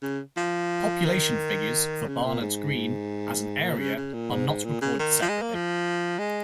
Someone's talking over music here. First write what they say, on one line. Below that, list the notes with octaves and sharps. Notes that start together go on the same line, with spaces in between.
Population figures for Barnards Green as an area are not recorded separately.
C#3
F3
D#3
C#3
A#2
G#2
A#2
C#3
C#3
A#2
G#2
G#2
A#2
C#3
D#3
F3
G#3
A#3
F3
G#3